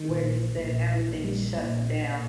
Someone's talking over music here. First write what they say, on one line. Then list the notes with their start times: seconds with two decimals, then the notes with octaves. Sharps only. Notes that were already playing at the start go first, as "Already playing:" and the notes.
where you said everything shuts down,
Already playing: D#3
0.08 A#1 A#2
0.58 A#1 A#2
1.07 A#1 A#2
1.24 G3
1.40 G3
1.56 A#1 A#2 A#3
2.08 A#2